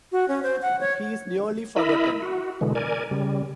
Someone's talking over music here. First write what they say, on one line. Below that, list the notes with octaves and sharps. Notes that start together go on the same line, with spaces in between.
He is nearly forgotten.
F#4
C#4
C5
F#5
C#5
E4 A#4 D#5 E5 B5
F#4
B2 D3 E3 G#3
A#4 D5 G#5
C#3 G3